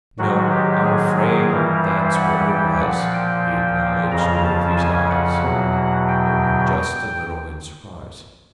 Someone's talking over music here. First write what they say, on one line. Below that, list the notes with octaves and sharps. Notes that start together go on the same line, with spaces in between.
"No, I'm afraid that's what it was," he acknowledged Dorothy's eyes opened just a little in surprise.
G#2 D#3 F#3 F#4
G4
G#4
G#4
G2 E3 G3 A#4
C5
F#5
G5
A#2 F3 F#5
G5
F2 C#3 F3 A#5
A5
G#5
F#5
E2 B2 F#3
G5